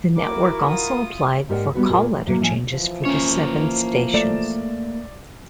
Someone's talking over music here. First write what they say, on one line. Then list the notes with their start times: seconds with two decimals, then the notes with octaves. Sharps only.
The network also applied for call letter changes for the seven stations.
0.17 E4 F#4 A#4 D6
0.68 F4 D#6
1.49 G#2 G4 A#4 D5 F#5 G5
1.74 G3 B3 F#4 B4
1.89 A#2 F4 G#4 A#4
2.15 C#3
2.26 A2 F#3 A#3
2.40 A2 F3 G#5
2.69 E3 F3
3.05 A#3 C#4 C#5
4.14 A3 D5 E7